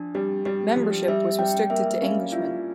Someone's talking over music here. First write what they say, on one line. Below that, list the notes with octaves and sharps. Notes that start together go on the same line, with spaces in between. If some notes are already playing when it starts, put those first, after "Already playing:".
Membership was restricted to Englishmen.
Already playing: F3 D4
G3 G4
G3 G4
F3 G4
G3 E5
G3 G5
A#3 E5
C#4 F5
E4 F4